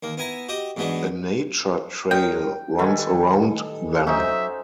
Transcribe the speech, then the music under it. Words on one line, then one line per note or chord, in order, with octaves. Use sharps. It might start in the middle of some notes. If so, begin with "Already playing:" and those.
A nature trail runs around them.
D#2 A#3
B3 E4 G#5 A#5
F#4 G4 D#5
E2 G#2 F#3 G#3 B3 D4
A#4 C#5 D#5 G5
D#3 G3 A4 B4 G#5
F#3 C#4 D#4 C5 E5